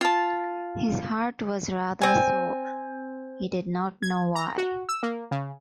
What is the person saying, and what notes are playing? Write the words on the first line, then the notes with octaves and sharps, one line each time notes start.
His heart was rather sore; he did not know why.
F4 A5
C4 G#5
G#6
A#5
F#4
E6
A#3
C#3